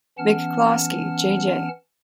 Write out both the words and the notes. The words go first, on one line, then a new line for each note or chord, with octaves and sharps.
McCloskey, J. J.
E3 B3 C#4 F#5 A5 F6